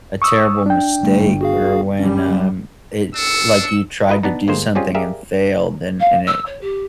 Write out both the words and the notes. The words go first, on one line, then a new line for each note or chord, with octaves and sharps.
a terrible mistake or when, um, it like, you tried to do something and failed, and and it
C#6 D#6 E6
D4 G5
G1 G3 A3
F#4 G#4 F5
F#2 F#3 G3 C#4
D4 E6 C#7
E4 F#4 A#4 B4 D#5
B3 D4 D#4
G1 G#3 A#3 C5
G3 C4 C#4 F4 G#4
G4 G#4 A#4 D5 E5 F5
F5
E6
C#5
G4